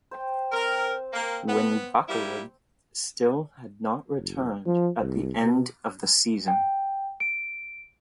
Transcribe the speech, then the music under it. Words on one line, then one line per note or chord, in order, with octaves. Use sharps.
When Bakkerud still had not returned at the end of the season.
C5 G5 A5
C4 A#4
A#3
B3
G3 A#3 E4
F#1
F3
C2
B2
G5
D7